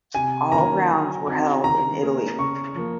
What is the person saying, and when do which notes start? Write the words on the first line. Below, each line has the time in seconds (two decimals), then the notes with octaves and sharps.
All rounds were held in Italy.
0.15 C3 G#5
0.52 D#3 A#3 C#4 A#5
0.89 F#3
1.26 C4 D#4 F#4
1.64 D#3 A#5
2.02 A#3 C#4 G#4
2.38 C#3 C#6
2.75 F3 A#3